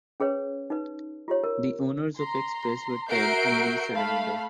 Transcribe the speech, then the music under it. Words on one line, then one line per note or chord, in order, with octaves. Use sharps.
The owners of the Express were Ted and Lisa Lavender.
C#4 G#4 B4 C#5
D#4 B4
F4 G4 C#5
A#4
A#5 C6
F#4 A#4 E5 G6 C7 D7
A3 F5 B5